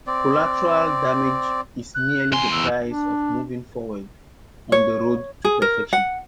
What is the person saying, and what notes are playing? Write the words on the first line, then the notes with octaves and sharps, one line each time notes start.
Collateral damage is merely the price of moving forward on the road to perfection.
C4 D5
F#6
E2 G#5 C6
E6
D4
C#5
G#4
A#4
F#5